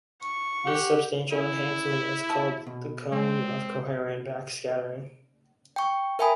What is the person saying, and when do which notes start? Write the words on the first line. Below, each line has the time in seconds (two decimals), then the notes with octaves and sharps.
This substantial enhancement is called the cone of coherent backscattering.
0.22 C#6
0.65 G4 F#5
1.33 C#4 E4
2.30 A5
2.66 B2
3.12 G#3 C4
5.76 G5 C#6
6.19 A#4 E5 G5 G#5 B5 D#6